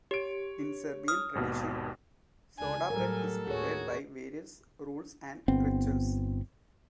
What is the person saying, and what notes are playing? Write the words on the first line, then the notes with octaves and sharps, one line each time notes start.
In Serbian tradition, soda bread is prepared by various rules and rituals.
G4 C#5 D7
D#6 F6
G#1 D#2 B2
C#2 D4 G#5
A2 F#3 G3 A4 A#4
D#2 A2 F#4 G#4 C#5
G1 B3 C4